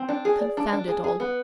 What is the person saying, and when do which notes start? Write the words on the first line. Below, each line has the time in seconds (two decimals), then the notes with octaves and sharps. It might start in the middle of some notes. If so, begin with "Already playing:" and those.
Confound it all!
Already playing: C4
0.09 D4
0.25 G#4
0.41 D5
0.57 D4
0.73 D4
0.88 G#4
1.04 G#4
1.20 B3